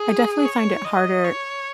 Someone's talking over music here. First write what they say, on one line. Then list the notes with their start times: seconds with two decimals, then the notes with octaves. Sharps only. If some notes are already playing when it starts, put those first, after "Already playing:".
I definitely find it harder
Already playing: G#4
0.45 C#5
0.84 D#5
1.25 C#5